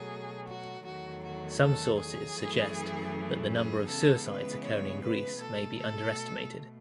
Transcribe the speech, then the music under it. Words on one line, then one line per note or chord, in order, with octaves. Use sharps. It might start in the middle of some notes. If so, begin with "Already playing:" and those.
Some sources suggest that the number of suicides occurring in Greece may be underestimated.
Already playing: B2 F#3 A3 G#4
F#4
E2 D#3 F#3 A3 F#4
F#4
A4
G#4
F#2 E3 A3
G#4
C#3 E3 G#3 B3 A4
B4
C#5
B4
B2 A3 A4
A4